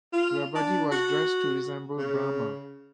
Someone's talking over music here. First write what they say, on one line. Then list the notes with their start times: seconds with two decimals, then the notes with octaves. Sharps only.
The body was dressed to resemble Brahma.
0.13 F4
0.55 D4
0.91 F#4
1.98 C#3